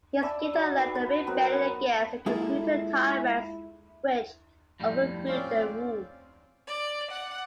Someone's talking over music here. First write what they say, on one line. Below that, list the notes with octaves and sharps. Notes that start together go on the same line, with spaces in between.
He escaped and led a rebellion against the Computer Tyrants which overthrew their rule.
D5 E5 A5 B5
D#4 F#4
B4
B4
F#3 B3 C4 A#4
G#3 A#3 E4 F4 G#4 A4
F2 A2 G3
C4 C#4 F4 D5
D5
F#5